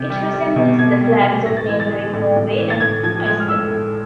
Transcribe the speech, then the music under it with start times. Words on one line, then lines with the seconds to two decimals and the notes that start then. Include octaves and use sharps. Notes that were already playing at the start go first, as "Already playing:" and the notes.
It resembles the flags of neighbouring Norway and Iceland.
Already playing: C3 G6
0.10 G3
0.33 G3
0.56 B2
0.78 B2 G#6
1.01 G3
1.23 G3
1.46 A2 A#6
1.57 A6
1.68 E3 G#6
1.80 A6
1.91 G#3
2.13 A2
2.36 A2
2.58 E3
2.70 A6
2.80 A2 G#6
3.03 F3 G#6
3.26 G#3 G#6
3.40 F6
3.48 A2 E6
3.70 A2